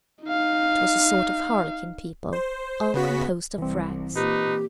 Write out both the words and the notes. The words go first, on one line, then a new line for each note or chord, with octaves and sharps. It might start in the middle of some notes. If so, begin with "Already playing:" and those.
It was a sort of harlequin people, all composed of rags.
D#4 F5
C5
C#3 B3 F#4 B6
C2 E3 C4
A#2 D#4 G4 B4